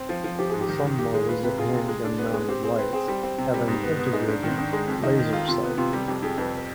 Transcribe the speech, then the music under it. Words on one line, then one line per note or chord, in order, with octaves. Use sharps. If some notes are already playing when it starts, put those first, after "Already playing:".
Some models of handgun-mounted lights have an integrated laser sight.
Already playing: C4
F3
F3
F3 G4
G#2 G#4
G4
D#3
D#3
D#3 G4
G#3 G#4
F4 B4
C3 B4
F4 G#4
C3
G#3
D4
B3
G#3
C4 G4
C4 G#4
C4 B4
C4 G#4
G3
C4
C3
G3
G#2
B3
B3
G#3 D#4
G#2 D4
D#3 C4
D#3 D4
G#3
F2 C4
D#3 D#4
D#3
F4
C3 F4
B3
C3 F4
G3 G4
F2 G4
F2 G#4
F2 B4